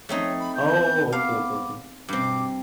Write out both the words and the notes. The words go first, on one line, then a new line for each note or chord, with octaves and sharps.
Oh, okay, okay, okay.
F3 A3 C4 D#4 C#5
B5
B3 G6
F5 D6
G2 B2 C4 D6